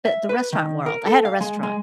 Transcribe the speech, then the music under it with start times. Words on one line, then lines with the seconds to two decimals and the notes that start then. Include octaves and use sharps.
b the restaurant world? I had a restaurant.
0.05 E5
0.29 B4
0.53 D#3
0.86 A#4
1.06 A4
1.25 F5
1.41 G#3
1.63 G#3